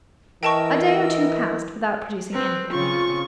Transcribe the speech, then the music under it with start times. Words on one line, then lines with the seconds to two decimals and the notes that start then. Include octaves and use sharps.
A day or two passed without producing anything.
0.43 E3 A#4 D#5 G5 A5 C#6 E6
2.33 C4 B4
2.71 C#3 C4 C#4 F4 C#6